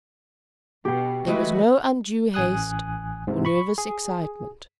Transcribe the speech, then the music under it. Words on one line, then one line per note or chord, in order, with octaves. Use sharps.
There was no undue haste, or nervous excitement.
B2 G4 G5
E3 G#3 A3 F#4 B4
A1 G#5 D#6 F#6
G#2 C3
B5 C#6
G#4